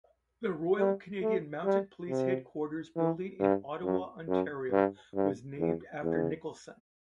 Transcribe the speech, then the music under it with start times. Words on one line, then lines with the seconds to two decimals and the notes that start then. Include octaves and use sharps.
The Royal Canadian Mounted Police headquarters building in Ottawa, Ontario was named after Nicholson.
0.78 G3
1.22 A3
1.64 G3
2.09 C3
2.96 E3
3.40 G2
3.83 F#2
4.28 F#2
4.71 G2
5.15 G2
5.59 E2
6.02 E2